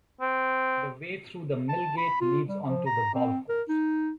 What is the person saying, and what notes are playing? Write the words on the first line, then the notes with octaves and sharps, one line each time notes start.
The way through the mill gate leads onto the golf course.
C4
A5
B5
F4
G3
F3
A#5
C4
A#4
D#4